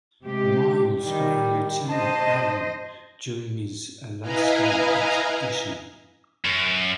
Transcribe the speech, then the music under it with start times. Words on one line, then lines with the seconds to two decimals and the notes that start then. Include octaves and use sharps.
Miles by a Lieutenant Allen during his Alaska expedition.
0.23 C3 G#3 G4
1.04 D#3 G3
1.88 C5 D#5 A5
4.21 E4 B4 D#5 F5 G#5 A#5
6.45 F#2